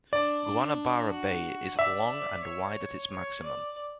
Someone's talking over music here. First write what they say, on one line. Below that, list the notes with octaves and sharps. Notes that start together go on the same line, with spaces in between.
Guanabara Bay is long and wide at its maximum.
D4 D5
D4
F#4
D5 E5
C#5
C#5
D5